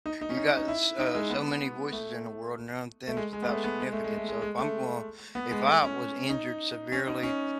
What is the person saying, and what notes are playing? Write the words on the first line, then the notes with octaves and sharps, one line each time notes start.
You got s uh, so many voices in the world around and none of them's without significance, so, if I'm going if I was injured severely
D#4
D#4
C#4
D#4
D#4
E4
D#4
G#3
B3
A3
A3
G#3
G#3
B3
A3
B3
G#3
A3
G#3
A3
G#3
G#3
A3
B3
G#3
A3
C#4
D#4
C#4
D#4
C#4